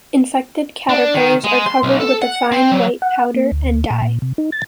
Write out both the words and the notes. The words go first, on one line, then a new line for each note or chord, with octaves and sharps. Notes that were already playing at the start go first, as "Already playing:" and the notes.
Infected caterpillars are covered with a fine white powder and die.
D4
D#3
G#3
C6
B1
A4
F#5
C4
F#3
F#5
A#3
D2
A#2
A#2
C3
D#4
A6